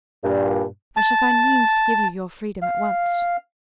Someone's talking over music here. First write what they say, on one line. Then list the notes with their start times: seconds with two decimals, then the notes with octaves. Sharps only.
"I shall find means to give you your freedom at once."
0.24 G2 A#2
0.97 A5
2.62 F5